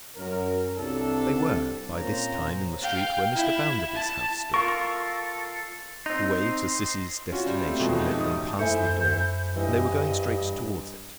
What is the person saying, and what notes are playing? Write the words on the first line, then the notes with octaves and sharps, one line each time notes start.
They were by this time in the street where Mr. Bounderby’s house stood. The way to Sissy’s destination led them past the door, and they were going straight towards it.
F#2 A#4
C2 D4 A4
A#2 A#3 C4 C#4 C5 A#5
F5 G5
E4
A5
F4 A4 A#4 C#6
C4 D#4 C6
C#4 F4 F#4 E5
G3 C5 E5
A3 C4
F2 B2 F3 G#3 A3
D#4 G4 A4
A1 D#6
F#2 A3 E4 C5 G#5 G6 C#7
G2 E3 D#5